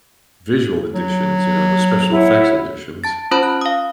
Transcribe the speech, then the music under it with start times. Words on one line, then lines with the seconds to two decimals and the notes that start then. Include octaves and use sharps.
visual editions, you know, the special effects editions.
0.95 F#3
2.11 E4 C#5 F#5
3.04 A5 A6
3.31 C#4 F4 C5 A5 B5
3.43 F#6
3.61 F5 D#6